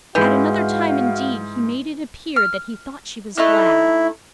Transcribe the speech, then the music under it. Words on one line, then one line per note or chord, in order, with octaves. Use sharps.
At another time, indeed, he made it appear that he thought she was glad.
G#2 E3 E4 F#4 F5 G6
F6
A3 D#4 E4 F#6